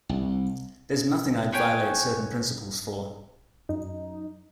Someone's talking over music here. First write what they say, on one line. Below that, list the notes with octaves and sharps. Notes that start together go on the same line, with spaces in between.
There's nothing I'd violate certain principles for.
C2
B3 C#5 G5 G#5
F#2 D#4